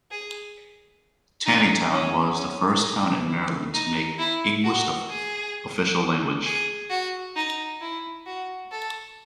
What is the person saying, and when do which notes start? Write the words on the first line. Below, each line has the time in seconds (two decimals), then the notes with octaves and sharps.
Taneytown was the first town in Maryland to make English the official language.
0.11 G#4
1.46 D#4
1.92 C#4
2.37 C#4
2.82 D#4
3.28 E4
3.74 D#4
4.19 E4
4.64 F#4
5.09 G#4
6.45 G#4
6.90 F#4
7.36 D#4
7.81 E4
8.26 F#4
8.71 A4